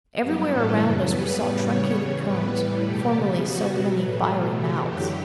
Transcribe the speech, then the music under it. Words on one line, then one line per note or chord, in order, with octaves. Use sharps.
Everywhere around us we saw truncated cones, formerly so many fiery mouths.
G2 F#3 B3 G4
A2 E3 G3 B3 A4
F#2 C#3 F#3
C#3 G3 B3 B4
A2 G3 B3
C#3 G3 B3 C#5
E2 C#3 G3
A2 G3 B3 B4
A2 E3 G3
E2 B2 A3 G4
E2 C#3 G3 B3
C#3 G3 B3 F#4
B2 F#3 B3
A2 E3 A3
B2 F#3 A3
C#3 E3 A3 G4
F#2 D3 F#3 G4